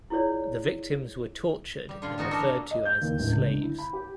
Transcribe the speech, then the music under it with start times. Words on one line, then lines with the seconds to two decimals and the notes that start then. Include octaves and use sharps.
The victims were tortured and referred to as "slaves".
0.10 E4 F4 G#4 C#5 D5
1.89 G3
2.02 D3 F4
2.18 E3 B3 D#4 F#4
2.31 D4 A4 A#4
2.48 A#2
2.71 D#5
2.85 G6
3.02 D#2
3.18 D1
3.30 C#2
3.49 D3
3.61 E4
3.78 B5
3.93 G4